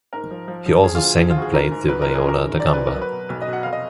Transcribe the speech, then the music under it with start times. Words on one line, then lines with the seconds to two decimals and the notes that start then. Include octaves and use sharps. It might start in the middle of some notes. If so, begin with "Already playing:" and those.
He also sang and played the viola da gamba.
0.13 G#2 A#4
0.31 F3
0.48 F3
0.66 F3
0.83 F3 G#4
0.95 F4
1.01 D2
1.19 F3
1.30 F4
1.36 D2 F#4
1.42 G#4
1.54 G#2 A#4
1.71 G#2
1.89 F#3 B4
2.02 G#1 A#4
2.15 G#4
2.24 F#2 A#4
2.42 D#3
2.59 F#2 D5
2.73 G#1 B4
2.87 A#4
2.94 F#3
3.01 B4
3.12 B2
3.29 B1
3.42 D#5
3.47 B2
3.53 F#5
3.63 F1 F5
3.73 D#5